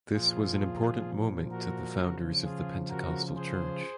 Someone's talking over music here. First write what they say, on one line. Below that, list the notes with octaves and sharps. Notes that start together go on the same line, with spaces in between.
This was an important moment to the founders of the Pentecostal church.
A#2 F3 F4 G#4
F#4 A#4
C#3 F3
F4 G#4
F#4 A#4
G#4 C5